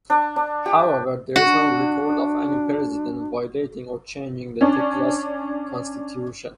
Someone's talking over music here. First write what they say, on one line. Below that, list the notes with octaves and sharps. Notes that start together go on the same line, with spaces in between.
However, there is no record of any president violating or changing the Texas Constitution.
D4
D4
G4
D4 F#4
C#4 D4